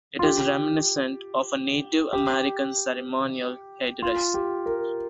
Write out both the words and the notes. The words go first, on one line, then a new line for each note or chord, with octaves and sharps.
It is reminiscent of a Native American ceremonial headdress.
F4
G4
G4
F4
G4
A#4